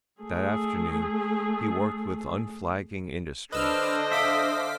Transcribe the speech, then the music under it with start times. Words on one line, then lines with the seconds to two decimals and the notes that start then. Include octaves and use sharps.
That afternoon he worked with unflagging industry.
0.22 A3 G#4
3.52 D3 D4 B4 C5 D#5 E6 F6
4.12 E5 F5 D6 B6